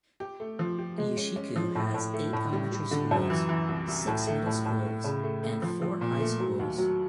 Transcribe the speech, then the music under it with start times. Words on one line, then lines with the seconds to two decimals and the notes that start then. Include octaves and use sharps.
Ushiku has eight elementary schools, six middle schools, and four high schools.
0.20 G4
0.40 A3
0.59 F3
0.78 G4
0.98 G#3
1.17 C#4
1.36 C#4
1.56 F3
1.75 A2
1.94 A2
2.14 A3
2.33 A2
2.53 G3
2.72 G3
2.91 D3
3.11 F#2
3.30 E3
3.49 E3
3.68 C2
3.88 C2
4.07 A2
4.27 A3
4.46 A2
4.66 A2
4.85 A3
5.04 C#3
5.23 A3
5.43 A3
5.62 F3
5.82 F3
6.01 A#2
6.20 A3
6.40 F#3
6.59 D#2
6.78 F#3